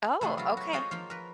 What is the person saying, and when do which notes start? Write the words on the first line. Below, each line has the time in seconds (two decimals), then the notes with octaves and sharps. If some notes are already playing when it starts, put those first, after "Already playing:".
Oh, okay.
0.21 C3 A3 B3 G#4
0.38 F#3 F4
0.57 F#4
0.73 F4 F#4 G#4 C5 C#5 D#5
0.91 F3 A#3 F4
1.10 A#4 B4